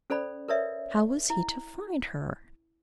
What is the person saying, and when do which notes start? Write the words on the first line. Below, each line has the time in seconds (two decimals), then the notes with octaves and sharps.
How was he to find her?
0.10 C#4 A4 C5 D5 B5
0.48 A#4 B4 C#5 D5 E5
1.30 E4